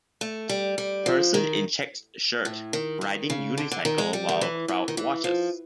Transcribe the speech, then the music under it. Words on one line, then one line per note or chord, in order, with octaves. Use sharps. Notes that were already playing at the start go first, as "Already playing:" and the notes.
Person in checked shirt riding unicycle while crowd watches.
A3
G3
G3
F3
D#3
A2
D#3
D#3
C#3
D3
D3
D#3
G#3
G3
D#3
E3
E3
D#3
E3
F3